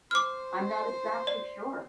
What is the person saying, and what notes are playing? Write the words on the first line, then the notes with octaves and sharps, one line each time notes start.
I'm not exactly sure.
C5 D6 F6
D5